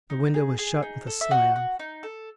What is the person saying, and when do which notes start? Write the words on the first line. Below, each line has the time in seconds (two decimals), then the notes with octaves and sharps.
The window was shut with a slam.
0.10 D#4
0.34 G#4
0.58 G#4
0.82 D#4
1.07 A4
1.21 E5
1.31 D#4 F#4 F#5
1.56 F#4
1.79 D#4
2.03 A4